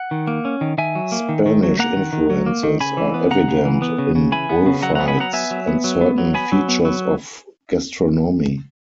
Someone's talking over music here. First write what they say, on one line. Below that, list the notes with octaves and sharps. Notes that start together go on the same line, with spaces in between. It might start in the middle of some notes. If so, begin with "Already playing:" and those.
Spanish influences are evident in bullfights and certain features of gastronomy.
Already playing: F#5
D#3
A#3
C#4
D#3
D#3 E5 G#5
F#3
A#3
D#3
D#3
F#3
A#3 F#5 A#5
D#3
D#3
F#3
A#3
D#3
C#3 G#5 B5
E3
B3
C#3 F#5 A#5
C#3
E3
B3
C#3
C#3
E3 G#5 B5
B3
C#3
F#3 F#5 A#5
B3 F#5 A#5
G#5 B5
F#3 F#5 A#5
B3 E5 G#5
F#3
B3
F#3
B3
F#3
B3 G#5 B5
F#3
B3
F#3